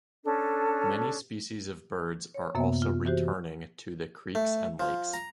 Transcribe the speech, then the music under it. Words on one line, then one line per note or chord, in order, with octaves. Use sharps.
Many species of birds are also returning to the creeks and lakes.
C#4 D4 A4
C#5
F#2 C3 A#3 B3 E5
F4
E3 F#4 G4 C5
A3
F3
A#5